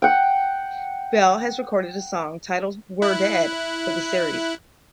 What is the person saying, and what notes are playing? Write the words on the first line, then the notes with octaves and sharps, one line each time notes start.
Bell has recorded a song titled "We're Dead" for the series.
F#5 G5
E4 F#6